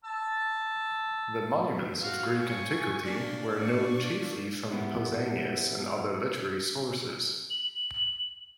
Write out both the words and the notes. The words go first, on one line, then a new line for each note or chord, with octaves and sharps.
The monuments of Greek antiquity were known chiefly from Pausanias and other literary sources.
A5 E6
F4 F#4 F5
G#5 C#6
A#3 D4 D5
C#6
G3 G#3 B3 E4
F#7